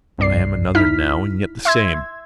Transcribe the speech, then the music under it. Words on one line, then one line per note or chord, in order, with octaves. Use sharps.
I am another now and yet the same.
C2 G2 D5 C7
D#4 E4 F6 B6
E5 C6 E6 G#6